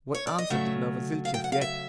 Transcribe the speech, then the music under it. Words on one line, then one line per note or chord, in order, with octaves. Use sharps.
What answer did Novosiltsev get?
C#5
D5
D#5
C#3 F#3 A3 E5
F5
G5
F#5
F5
E5